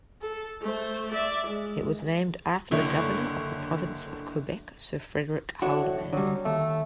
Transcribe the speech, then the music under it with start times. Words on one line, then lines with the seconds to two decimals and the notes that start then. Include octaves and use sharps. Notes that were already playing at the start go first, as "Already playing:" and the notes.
It was named after the governor of the Province of Quebec Sir Frederick Haldimand.
0.22 A4
0.61 A3 C5
1.11 D5 E5
1.46 G#3
2.71 F#1 D3 E4 C#5
5.62 A2 D4 F#4
6.13 D3 F#3 G3
6.45 D#2 A3